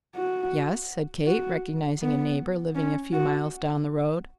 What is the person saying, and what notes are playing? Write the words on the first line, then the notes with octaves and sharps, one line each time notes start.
"Yes," said Kate, recognizing a neighbour, living a few miles down the road.
F#4
F#4
B3
C#4
F#4